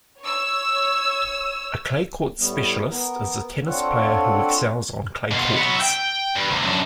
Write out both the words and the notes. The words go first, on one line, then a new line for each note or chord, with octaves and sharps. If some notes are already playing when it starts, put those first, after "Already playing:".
A clay-court specialist is a tennis player who excels on clay courts.
C#5 E6
A2 G3 B3
B3 A#4
C4 D4 F4 A4 C#5 F#5
B2 F4
F#3 B3
E5 G5
G2
D2 C3
F#2 D4